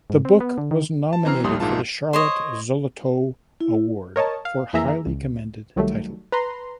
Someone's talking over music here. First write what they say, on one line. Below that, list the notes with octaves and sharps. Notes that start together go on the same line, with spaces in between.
The book was nominated for the Charlotte Zolotow Award for Highly Commended Title.
G#2
C4
B3
D3
D#3
A5
E3 C4 A#5 F6 C7
A#1 D#2 G3 C6 D#6
A#1 G#2 A#3 F4 A5
C5 C#5 D#5
E4
A#4 C#5 D#5 A5
F5
F2 E3 A#3 G#4 E5 A#5
C#2
C2 D#3 F#3 G3 A3
B4 A#5 C6